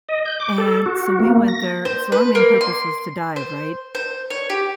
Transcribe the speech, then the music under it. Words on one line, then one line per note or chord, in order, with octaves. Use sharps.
and so we went there so our main purpose was to dive, right?
D#5
G6
D6
A4
F#4
A#3
A#6
C5
B4
A#3
C6
C5
C5
C#5
G4